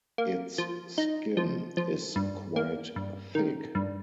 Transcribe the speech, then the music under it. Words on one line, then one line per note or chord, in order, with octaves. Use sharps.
Its skin is quite thick.
A#3
F3
D#4
F3
F3
G2
A#3
G2
D#3
G2